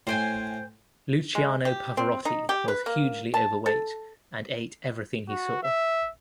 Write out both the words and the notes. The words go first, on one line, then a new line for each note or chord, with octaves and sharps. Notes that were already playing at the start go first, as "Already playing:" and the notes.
Luciano Pavarotti was hugely overweight and ate everything he saw.
A2 C5 G5 G#5
G#3
G4
C4
D#4
G4
B4
A#3
A5
A4
F#4
E5